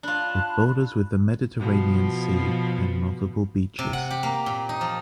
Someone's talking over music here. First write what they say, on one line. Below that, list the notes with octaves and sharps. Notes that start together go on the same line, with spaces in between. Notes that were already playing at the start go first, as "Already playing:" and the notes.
It borders with the Mediterranean sea and multiple beaches.
D4 F4 A5 B5 F#6
B2 F3
C3
F#5
G4
A#3
A#2
D#4
F3